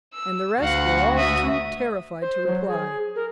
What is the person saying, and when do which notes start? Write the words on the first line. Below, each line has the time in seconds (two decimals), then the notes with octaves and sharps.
And the rest were all too terrified to reply.
0.14 E6
0.60 D2 F#4 F5 F#5
1.16 E5 D#6
2.21 C5
2.46 F#3
2.67 G#4
3.16 A#4